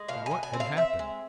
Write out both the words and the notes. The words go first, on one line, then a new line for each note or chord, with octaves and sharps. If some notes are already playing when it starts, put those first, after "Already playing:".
What had happened?
Already playing: G#3
B2 F5
G#5
B2
G#5
C4
F5
C4 E5
G#3